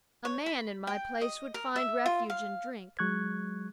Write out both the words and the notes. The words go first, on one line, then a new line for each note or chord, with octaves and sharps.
A man, in my place, would find refuge in drink.
C#5
B5
G5
D#5
A#4
E5
F4
F5
F#3 G#3 C#6 F#6 G#6